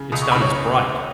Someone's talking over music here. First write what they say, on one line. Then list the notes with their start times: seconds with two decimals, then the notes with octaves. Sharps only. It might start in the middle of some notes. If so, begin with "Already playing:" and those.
it's not as bright
Already playing: C#3
0.12 C#2 D#6
0.22 C#6
0.32 C#2 B5
0.41 C#5 C#6